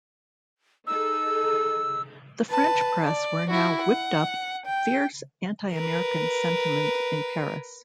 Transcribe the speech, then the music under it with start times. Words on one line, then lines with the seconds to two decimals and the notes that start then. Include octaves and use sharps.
The French press were now whipped up fierce anti-American sentiment in Paris.
0.87 D#4 G#4 A4 E6
2.50 B4 A5
3.05 D5
3.51 E4 F#4
3.82 F#5
4.66 G5
5.72 A#4 B4